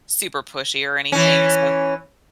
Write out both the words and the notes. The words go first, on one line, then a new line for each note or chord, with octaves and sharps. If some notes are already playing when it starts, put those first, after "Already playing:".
super pushy or anything, so
E3 C#4